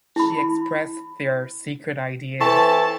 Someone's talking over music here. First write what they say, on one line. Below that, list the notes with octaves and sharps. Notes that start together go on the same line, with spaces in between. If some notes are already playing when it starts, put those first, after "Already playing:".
She expressed their secret idea.
E4 B5
E3 C4 A4 B4 A5 C#6